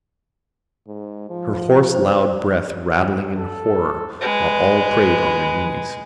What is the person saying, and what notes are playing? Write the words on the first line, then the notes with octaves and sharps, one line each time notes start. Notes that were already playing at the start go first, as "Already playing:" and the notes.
Her hoarse loud breath rattling in horror, while all prayed on their knees.
G#2
F3
C5
A4
G#3 B4